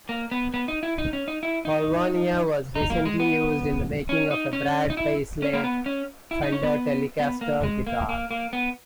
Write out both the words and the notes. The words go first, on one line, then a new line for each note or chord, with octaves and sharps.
Paulownia was recently used in the making of a Brad Paisley Fender Telecaster Guitar.
A#3
B3
B3
D#4
E4
D#4
C#4
D#4
E4
D#4
D#4
A#3
G#3
B3
C#4
D#4
C#4
D#4
E4
C#4
A#3
B3
C#4
E4
D#4
C#4
B3
B3
A#3
G#3
A#3
A#3
A#3
B3